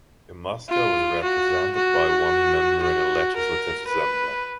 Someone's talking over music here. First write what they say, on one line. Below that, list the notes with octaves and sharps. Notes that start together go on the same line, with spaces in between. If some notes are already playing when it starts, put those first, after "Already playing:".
Yamaska was represented by one member in the Legislative Assembly.
F4
F#4
F#4
F#4
A#4
B4